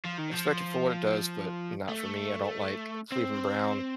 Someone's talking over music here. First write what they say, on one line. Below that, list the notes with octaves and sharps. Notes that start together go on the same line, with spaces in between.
I respect it for what it does, but not for me. I don't like Cleveland Brown
F3
D#3
F3
A3
C4